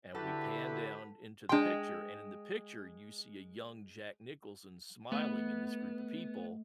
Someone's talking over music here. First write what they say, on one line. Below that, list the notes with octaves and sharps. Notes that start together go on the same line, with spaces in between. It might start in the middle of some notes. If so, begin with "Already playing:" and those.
and we pan down into the picture, and in the picture, you see a young Jack Nicholson smiling in this group of people-
D3 E4 F#4 G4 A4 B4
G#3 D4 G5 C6
A3 B3